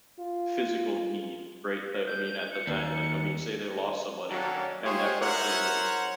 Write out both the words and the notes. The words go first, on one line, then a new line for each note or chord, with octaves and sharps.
physical need, right? I I mean, at the time, like, I mean, say they lost somebody and that person,
F4
G6
C#7
D#2
D#3 F#3 A#3 C#4 D4 A4
F4 G4 G#4 C5 C#5
E4 A#4 C5 C#5 E5 F#5